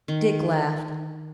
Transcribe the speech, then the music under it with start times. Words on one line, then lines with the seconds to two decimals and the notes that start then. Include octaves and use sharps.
Dick laughed.
0.08 D#3